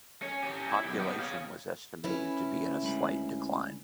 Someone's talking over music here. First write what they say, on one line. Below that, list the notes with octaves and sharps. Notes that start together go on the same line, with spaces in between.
Population was estimated to be in a slight decline.
C#4
C#4 G4
E4
B1 G4
B3 G4
C#5 F5
C#4 E4 B4
D2 G#3 B5